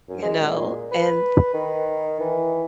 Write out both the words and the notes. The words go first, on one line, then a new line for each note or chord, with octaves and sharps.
you know, and
F#2
G#3
A#2
B4
D#3
E3